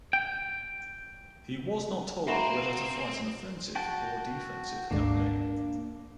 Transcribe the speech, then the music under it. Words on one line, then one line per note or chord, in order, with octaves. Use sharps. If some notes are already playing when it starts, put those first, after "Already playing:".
He was not told whether to fight an offensive or defensive campaign.
G5
A#3 C4 F#4 E5 G#5 A#5 B5
F#4 G5 A5
G#1 D2 G#2 A#3 D4